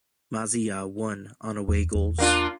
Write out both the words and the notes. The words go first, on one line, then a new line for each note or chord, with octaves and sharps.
Maziya won on away goals.
E2
E2
A#3 D4 F4